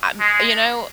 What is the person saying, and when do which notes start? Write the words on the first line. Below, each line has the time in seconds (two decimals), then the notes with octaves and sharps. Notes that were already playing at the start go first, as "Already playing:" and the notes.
I'm you know
0.20 G#3